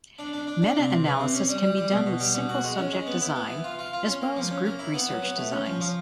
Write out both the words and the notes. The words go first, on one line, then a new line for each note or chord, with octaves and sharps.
Meta-analysis can be done with single-subject design as well as group research designs.
D4
D4
D4
D4
C3
C3
E3
C3
C#4
G3
G3
G3
B2
B2
G3
B2
F#4
G#3
C#4
G#3
B3
E4
B3
E3
F4
F4
F4
C#4
A#3
F3
C#4
A#3
E4
B3
F#3
B3
A3
C#4
F3
F3